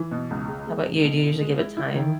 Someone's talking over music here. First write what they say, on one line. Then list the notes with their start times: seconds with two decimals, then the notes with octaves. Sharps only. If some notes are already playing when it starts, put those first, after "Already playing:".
How 'bout you? Do you usually give it time?
Already playing: E3
0.11 B2
0.31 C#2
0.48 G#3
0.67 G#3
0.85 C#2
1.04 B2
1.22 E4
1.40 G#3
1.59 E4
1.77 E4
1.95 D#3